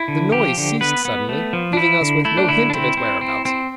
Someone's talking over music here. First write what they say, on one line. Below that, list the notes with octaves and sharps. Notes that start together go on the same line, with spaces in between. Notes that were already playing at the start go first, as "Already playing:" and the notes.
The noise ceased suddenly, leaving us with no hint of its whereabouts.
Already playing: E4
D3
F3 G4
D3
B3 B4
B3
A3
F3
D4
F3 E4
D3
A3 E4
D4
D3 E4
D4
C4 E4
C4
C4
C4